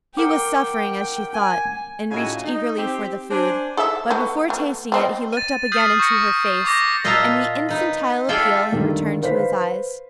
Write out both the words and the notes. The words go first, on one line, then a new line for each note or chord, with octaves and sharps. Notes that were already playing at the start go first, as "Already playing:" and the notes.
He was suffering, as she thought, and reached eagerly for the food, but before tasting it he looked up again into her face, and the infantile appeal had returned to his eyes.
A#4 F#5 G5 D6
G#5
A2 C#3 D#4 F4 F#4 G#5
D#4
C4 G4
D4 C5 G#5
G#4 A4 E5
A3 B3
A3 B3
B3 C4 D#5
A6 D#7
D#6 F6 G6 B6 C7
C#6 G6 A#6 C#7
C#6 D6 G6 A#6
A#2 F4 D#5 E5 A5 A#5
D#4 B4
F4 G#4 A4 D5 E5 G5
G2 D3 D#3 G3
B4 C5 F5 B6